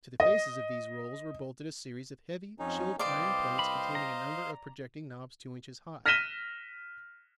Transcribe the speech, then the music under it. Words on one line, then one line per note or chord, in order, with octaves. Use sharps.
To the faces of these rolls were bolted a series of heavy, chilled-iron plates containing a number of projecting knobs two inches high.
D#5
F2 C#4 D#4
C2 B4 C5 D5 D#5 F5 G5 D6
B5
A#5
F6 A#6 B6 D#7 E7 G7